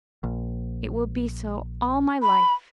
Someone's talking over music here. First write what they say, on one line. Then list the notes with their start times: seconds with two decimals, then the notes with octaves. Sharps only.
It will be so all my life.
0.23 A#1
2.22 B5